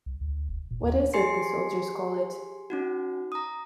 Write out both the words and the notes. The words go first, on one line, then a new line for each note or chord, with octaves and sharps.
What is it the soldiers call it?
C2
D2
F1
A#2
D#2
G4 G#4 G#5 C6 C7 C#7
C#4 D#4 F#4
A#5 D#6